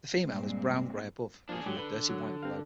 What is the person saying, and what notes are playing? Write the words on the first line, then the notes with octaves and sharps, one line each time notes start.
The female is brown-grey above, becoming dirty white below.
G2 A#2 G3 G#3 C4
F3 A#3 D4 G#4
D3 F#3 G4
B4
F#3
C4 F5